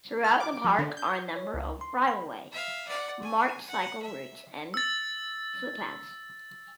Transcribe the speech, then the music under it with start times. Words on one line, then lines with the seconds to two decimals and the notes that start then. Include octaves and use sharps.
Throughout the park are a number of bridleways, marked cycle routes and footpaths.
0.24 F6
0.40 D6
0.64 F3
0.79 D3
0.97 G6
1.36 C#5
1.54 C#2
1.81 C6
2.08 B5
2.52 E5 F5
2.87 D5 F#5
3.22 G#5
3.68 F#5
4.02 E5
4.74 E6 A6